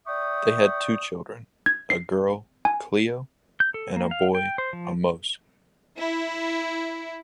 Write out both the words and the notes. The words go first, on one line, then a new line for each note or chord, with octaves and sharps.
They had two children, a girl, Cleo and a boy, Amos.
D5 E5 G5 C#6 D#6
G#6
C7
G#5
G6
A4
A#3
F5
G5
C5
F3
E4